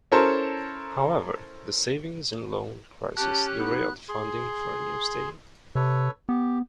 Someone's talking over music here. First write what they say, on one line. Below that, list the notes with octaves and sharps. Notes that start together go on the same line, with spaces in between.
However, the savings and loan crisis derailed funding for a new stadium.
C#4 E4 A4 A#4 C5 C#5
C#4 G4 A5 F#6
B3 D#4
G#4 C6
C3 A4 B4 C#5
B3 G4